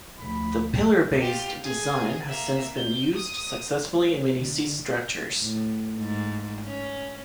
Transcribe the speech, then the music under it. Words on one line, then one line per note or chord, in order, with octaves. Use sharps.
The pillar-based design has since been used successfully in many sea structures.
D2 F3 B5
F4 G4
G#4
A#3 E5
G6
D#6
D3
A2
G#2
C#4